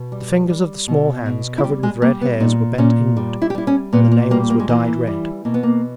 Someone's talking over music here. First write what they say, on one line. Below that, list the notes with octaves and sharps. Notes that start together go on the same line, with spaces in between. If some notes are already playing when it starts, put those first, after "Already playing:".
The fingers of the small hands covered with red hairs were bent inward, and the nails were dyed red.
Already playing: B2
G3
G3
B2
B2
E4
G3 G4
G#3
G3 A#3
B3
A#2 D#4
A#2 C#4
G3
E4
G4
G3 E4
C#4
A#2 B3
A#3
G3 A#3
A#3
G#3
E3 A#3
G3
B2 A#3
B3
A#3